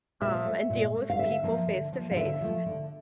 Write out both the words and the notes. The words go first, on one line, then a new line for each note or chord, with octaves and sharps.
um, and deal with people face to face.
A#2 E5
A3
A#2
A3
F5
D3 E5
F3 A#3
D3
F3 A#3
F5
D3 E5
F3 A3
D3